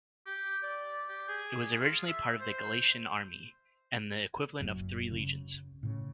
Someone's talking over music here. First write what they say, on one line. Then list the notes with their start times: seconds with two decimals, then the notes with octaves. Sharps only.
It was originally part of the Galatian Army, and the equivalent of three legions.
0.27 G4
0.63 D5
1.08 G4
1.28 G#4
1.81 F4
2.08 E5
2.41 C5
4.60 F#1 F#2
5.12 C#3
5.83 A2 C#3